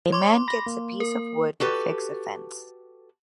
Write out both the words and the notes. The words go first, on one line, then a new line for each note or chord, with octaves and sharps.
A man gets a piece of wood to fix a fence.
C#5 C6 D6
B5 A#6
A#3
A#4
F#4 G4 A4 B4